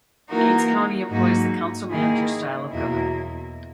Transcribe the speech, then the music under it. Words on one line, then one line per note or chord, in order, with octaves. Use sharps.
Gates County employs the Council-manager style of government.
E3 A#3 D#4 F#4 A#4
G#2 F#3 A#3 D#4 F#4
D#3 A#3 E4 G#4
E2 B2 F#3 A#3 E4